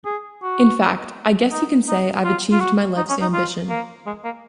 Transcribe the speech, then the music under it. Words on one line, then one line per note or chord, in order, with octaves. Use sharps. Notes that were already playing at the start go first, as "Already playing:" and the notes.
In fact, I guess you can say I've achieved my life's ambition.
G#4
F#4
D#4
D#4
F4
F4
F#4
D#4
C#4
D#4
F4
A#3
G#3
A#3